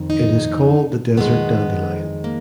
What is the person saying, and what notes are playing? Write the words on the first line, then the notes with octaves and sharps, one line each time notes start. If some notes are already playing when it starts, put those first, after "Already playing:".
It is called the desert dandelion.
Already playing: F2 D#3
D#4
F2 D#3 G#3 B3
A#3